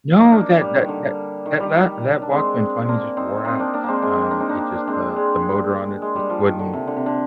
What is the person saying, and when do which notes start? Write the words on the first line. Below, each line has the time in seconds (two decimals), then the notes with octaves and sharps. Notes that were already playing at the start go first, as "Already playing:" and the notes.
No, that that that that la that Walkman finally just wore out. Um, it just the the motor on it just wouldn't
0.20 D#4
0.32 A#3 D4
0.61 G3
0.74 D#3
0.89 D3
1.46 D#3
1.60 G3
2.22 D4
2.31 G#3 C4
2.89 A#3 D4
3.17 C4 D#4
3.45 C4 D#4
3.59 A#3 D4
3.74 A#3 D4
3.84 G#3 A#3 C4
4.02 G#3 C4
4.31 A#3 D4
4.40 C4 D#4
4.49 A#3 D4
4.75 D4
4.87 G#3 C4
5.16 G#3
6.02 G#3
6.16 G3
6.30 F3
6.45 D#3
6.59 D3
6.73 C3
6.87 D3
6.96 C3
7.06 D3